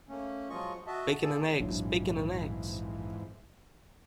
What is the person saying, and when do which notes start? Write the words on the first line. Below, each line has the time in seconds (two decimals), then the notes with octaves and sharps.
Bacon and eggs, bacon and eggs!
0.09 A3 A#3 C#4
0.50 F3 F#3 G#3 F4 D#5 C#6
0.87 F#4 D#5 E5 A5
1.23 A#3 G#4 A4 D5
1.60 A#1 F2 G#2 E3 F#3 D4